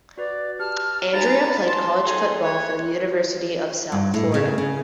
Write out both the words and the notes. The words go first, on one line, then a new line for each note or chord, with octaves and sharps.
Andrea played college football for the University of South Florida.
F#4 B4 D5
G4 A5 F6
D#4 C5 F5 G#5 A#5 B5 A6
A5 C6
D#4 G#4 A4 G5 G#5
B4 C#5 G#6
G2
A2
C#3
C#3